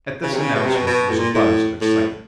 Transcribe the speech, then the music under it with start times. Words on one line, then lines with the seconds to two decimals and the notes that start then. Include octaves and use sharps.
At this announcement there was a buzz of excitement.
0.22 C#3
0.33 C3
0.39 C#3
0.55 B2
0.65 C3
0.75 B2
0.87 B2
1.09 A2
1.18 A#2
1.34 A2
1.81 A2